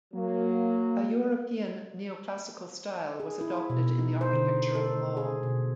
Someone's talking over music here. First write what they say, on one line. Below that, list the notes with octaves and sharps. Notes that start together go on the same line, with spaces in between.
A European neoclassical style was adopted in the architecture of the mall.
F#3 A#3
G#4
E4
B2
D#4
C5
D3
A4
G#4
B2